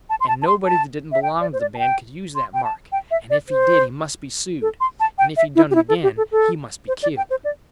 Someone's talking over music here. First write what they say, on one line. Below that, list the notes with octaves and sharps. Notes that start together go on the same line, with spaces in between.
And nobody that didn't belong to the band could use that mark, and if he did he must be sued; and if he done it again he must be killed.
A5
C6
A5
A5
C6
A5
E5
G5
D5
C5
D5
A5
G5
C6
G5
A5
G5
E5
D5
C5
A4
C6
A5
G5
E5
E4
G4
E4
A4
G4
A4
A4
C5
D5
G5
C5
D5